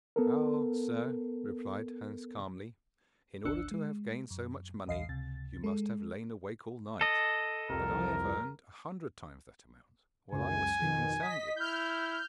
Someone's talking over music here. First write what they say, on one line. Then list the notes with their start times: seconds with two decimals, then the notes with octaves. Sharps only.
'Ah, sir,' replied Hans calmly, 'in order to have gained so much money you must have lain awake all night, but I have earned a hundred times that amount while I was sleeping soundly.'
0.16 B3 A4 A#4
3.45 G#1 D2 D4 E6 F#6 C#7
3.71 G#3
4.31 F#2
4.87 B1 E2 D#5 F5 C7
5.09 C#2 C3 A6
5.64 G#3 A4
7.01 A4 D#5
7.69 C2 F2 A#4
10.32 C#2 F#2 G#5
10.82 F2 B2 D#3
11.22 D#5 B6
11.56 E4 F6 G6